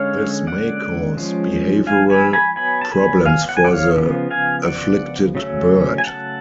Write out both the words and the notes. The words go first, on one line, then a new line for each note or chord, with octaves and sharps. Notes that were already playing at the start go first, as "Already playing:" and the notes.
This may cause behavioural problems for the afflicted bird.
Already playing: D3 G#3 C#4 C#5 F5
D5 F#5
F3 G#3 C#4
F5 G#5
G#5 B5
G#5 B5
F#3 B3 G#5 B5
A5
G#5 B5
F5 G#5
F#5
G#5
D5 F#5
C#5 F5
C#3 F3 B3
F5 G#5
D5 F#5
C#3 F#3 A3 C#4
G#5
F#5 A5